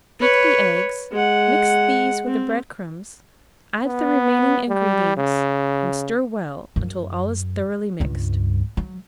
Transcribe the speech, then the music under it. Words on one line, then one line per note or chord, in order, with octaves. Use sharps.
Beat the eggs, mix these with the bread crumbs, add the remaining ingredients, and stir well until all is thoroughly mixed.
B4 C#5
G#3 F#5
C4
B3
G3
C#3
F#2
C#2 G2
F#3